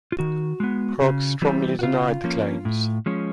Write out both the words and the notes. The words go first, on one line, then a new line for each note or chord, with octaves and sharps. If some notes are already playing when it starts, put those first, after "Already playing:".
Krog strongly denied the claims.
F4
D#3 F#4
G#3 B3
C#3
E3 G3 C4
F#4
C#3 F4
F3 A#3 C#4
A2
F3 G#3 C#4